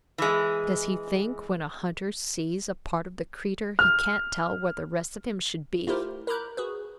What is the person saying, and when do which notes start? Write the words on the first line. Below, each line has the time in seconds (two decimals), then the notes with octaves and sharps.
"Does he think when a hunter sees a part of the creature', he can't tell where the rest of him should be!"
0.18 E3 G#3
3.79 F6
5.87 A3 E4 F4 G4 A#4 C5
6.27 A#4 A#5 B5 D6 F#6 G6
6.57 F#4 G#4 B4